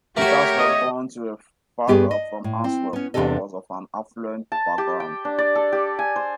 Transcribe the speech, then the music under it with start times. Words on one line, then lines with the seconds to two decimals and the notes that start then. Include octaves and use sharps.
Peters was born to a father from Antwerp and was of an affluent background.
0.17 A3 F#4 G4 A#4 C#5
0.59 D#5
1.87 G2 B3 G4 G#4 B4
2.11 D#5
2.44 A2
2.64 C4
2.93 B3 C#4
3.14 E2 C3 D4 G4 A4 D#5
4.52 A5
4.78 G4
5.00 G5
5.25 D4
5.38 D5
5.55 A4
5.72 G4
5.99 G#5
6.16 C5